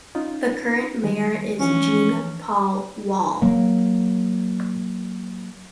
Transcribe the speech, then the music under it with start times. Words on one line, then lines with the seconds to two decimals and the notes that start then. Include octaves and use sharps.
The current mayor is Jean-Paul Wahl.
0.15 C#4 D#4 F4
1.04 D#3 G3
1.60 E3 F3 C#4 D4
3.42 F#3 A#3